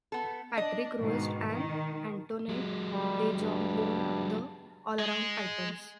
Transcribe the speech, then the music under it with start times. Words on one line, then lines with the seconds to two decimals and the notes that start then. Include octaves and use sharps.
Patrick Roest and Antoinette de Jong won the allround titles.
0.12 B3 A4
0.57 D4 D#5
1.00 G#2 B2 D#3
1.49 D#3
2.49 F#3 G#3
2.93 G3
3.40 G2
4.99 G#3